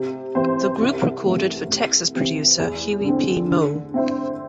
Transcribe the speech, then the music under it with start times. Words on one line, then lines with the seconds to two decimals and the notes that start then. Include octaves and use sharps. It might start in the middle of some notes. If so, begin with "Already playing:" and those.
The group recorded for Texas producer Huey P. Meaux.
Already playing: C3
0.35 E3 C4 E4 C5
0.80 C2
1.25 C3 E3 A3
1.69 C2
2.15 C3 E3 C4
2.60 E2
3.04 D3 C4
3.49 D3
3.94 C4 E4 C5